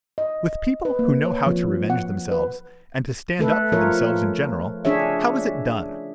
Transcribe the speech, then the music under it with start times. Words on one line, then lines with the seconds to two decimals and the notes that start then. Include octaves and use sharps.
With people who know how to revenge themselves and to stand up for themselves in general, how is it done?
0.18 D#5
0.85 B4
0.99 A#3
1.25 C#5
1.46 F3
1.90 F#5
2.31 B4
3.39 A3 A4 B4
3.72 F3 F4 A#4 C#5
4.85 C#4 D4 G#4 C#5 E5